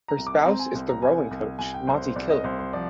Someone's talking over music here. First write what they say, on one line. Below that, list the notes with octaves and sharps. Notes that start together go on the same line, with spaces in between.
Her spouse is the rowing coach Matti Killing.
A#5
C2
D6
C4 A#5
G#5
C2
A#5
C2 G#5
C2
C2 G#5
G5
C2 C5
C5
C2 D5
D#5
C2 C5
C5
F3 D5